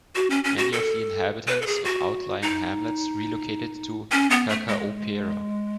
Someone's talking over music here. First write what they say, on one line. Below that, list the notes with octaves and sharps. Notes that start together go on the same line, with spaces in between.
Many of the inhabitants of outlying hamlets relocated to Cacaopera.
F#4
C#4
C#4
F#4
A4
B4
A4
G#4
F#4
D#4
C#4
B3
A3
G#3